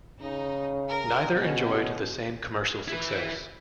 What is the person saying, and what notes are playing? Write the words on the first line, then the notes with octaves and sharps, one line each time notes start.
Neither enjoyed the same commercial success.
C#3 D#4
A#4
B2 C#4
E4 B4